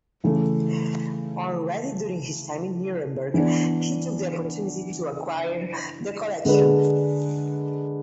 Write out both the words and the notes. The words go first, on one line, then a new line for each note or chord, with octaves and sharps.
Already during his time in Nuremberg he took the opportunity to acquire the collection.
C#3 E3 A3
E3 B3 D4
D3 G#3 D4 G#4 B4